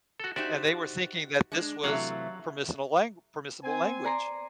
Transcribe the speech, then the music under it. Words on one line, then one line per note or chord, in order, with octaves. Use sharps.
and they were thinking that this was permissible lang permissible language.
F#4 A4
D#4 F#4 G4 C5 D5 E5
G#3 D4
C3 E3 F#3 A3 F5 F#5
C4 G#5
D5 A#5 C6